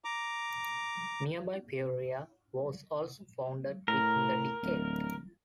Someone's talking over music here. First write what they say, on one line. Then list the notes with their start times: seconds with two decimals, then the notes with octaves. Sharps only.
Nearby Peoria was also founded within the decade.
0.04 A#5 D6
3.88 A2 A#4
4.63 D1